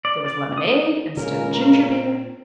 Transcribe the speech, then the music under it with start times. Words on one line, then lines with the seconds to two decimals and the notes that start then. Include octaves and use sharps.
There was lemonade and stone ginger-beer. . . .
0.05 D5
0.26 D5
0.58 D#6
1.17 C#2 A#2 C#3 A#4